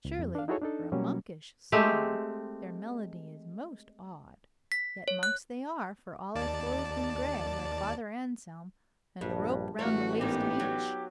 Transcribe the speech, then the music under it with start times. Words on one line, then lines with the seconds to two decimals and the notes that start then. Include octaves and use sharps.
Surely, for a monkish song, their melody is most odd; yet monks they are, for all are clothed in gray, like Father Anselm, and a rope round the waist of each.
0.05 C#2
0.19 F2
0.35 D4 F5
0.48 D#4 E4 F#4 G#4 A4 C#5
0.62 D4 D#4 A4
0.92 B2 F#3 G3 A#3 C#4
1.72 G#3 A3 C4 G4
4.72 B6
5.08 C#5
5.23 F#6
6.35 D#2 D5 A5
9.21 A#1 G2
9.79 A1 A3 F#4 C#5
10.21 G#2 E3 A#3 B3 D#4 G4
10.60 F#3